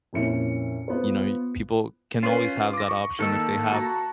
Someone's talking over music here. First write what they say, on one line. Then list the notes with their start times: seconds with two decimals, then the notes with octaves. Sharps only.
you know, you people can always have that option if they have,
0.13 F2 A#2 C#4 E4 C#7
0.88 B3 F4 C5
2.23 C#4 F4 B4
2.73 D6 A#6
2.89 C#6
3.19 D#3 A#3 A4 E6
3.72 F#4 A5 A#5